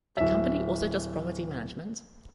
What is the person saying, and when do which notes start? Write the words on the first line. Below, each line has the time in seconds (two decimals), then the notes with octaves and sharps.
The company also does property management.
0.17 D1 E5